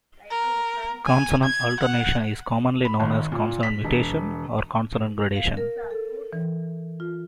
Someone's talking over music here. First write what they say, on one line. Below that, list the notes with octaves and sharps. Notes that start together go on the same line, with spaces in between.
Consonant alternation is commonly known as consonant mutation or consonant gradation.
A#4
G#5
G#6
F#5
B5
G#1
A#2
B6
E1
F5
A#4
A4
E3
F4